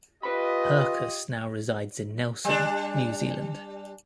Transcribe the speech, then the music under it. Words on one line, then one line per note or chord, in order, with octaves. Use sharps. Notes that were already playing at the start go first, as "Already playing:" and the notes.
Hercus now resides in Nelson, New Zealand.
F4 G4 B4 D#5 A5 B5
G3 D4